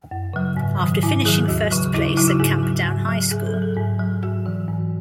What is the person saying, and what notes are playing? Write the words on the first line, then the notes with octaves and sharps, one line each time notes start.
After finishing first place at Camperdown High School.
F#2
C#3 F#3
G#2
D#3 F#3
G#2 E4
D#3 F#3 G#4
D#2 F#4
C#3 F#3
D#2 E4
D#4
C#3 F#3 E4
F#4
G#2 G#4
F#3
G#2
F#3
G#2 G#4
A4
F#3
G#4
G#2
F#3
G#2 F#4
E3
G#2